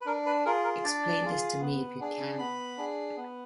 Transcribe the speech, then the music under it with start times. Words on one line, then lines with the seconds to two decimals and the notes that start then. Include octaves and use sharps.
Explain this to me! if you can.
0.01 B4
0.06 D4 A#4
0.26 B4
0.45 F4 G#4 A#4
0.64 A#4
0.84 D4 D5
1.22 F4 G#4
1.61 B3
2.01 D4 G#4
2.38 B3 B5
2.77 D4 G#4
3.17 B3